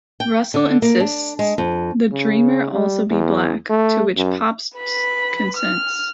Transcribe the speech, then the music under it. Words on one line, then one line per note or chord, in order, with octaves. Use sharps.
Russell insists the dreamer also be black, to which Pabst consents.
G5
D3
A#3
D4
G#3
F2
C#3
G3
E2
A3
F#2
B4 B5
F6